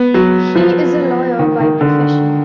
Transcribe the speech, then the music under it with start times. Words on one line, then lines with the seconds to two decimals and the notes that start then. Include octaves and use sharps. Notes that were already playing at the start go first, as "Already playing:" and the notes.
He is a lawyer by profession.
Already playing: B3
0.14 F#3
0.55 F3
1.39 D#3
1.60 D#3
1.81 D3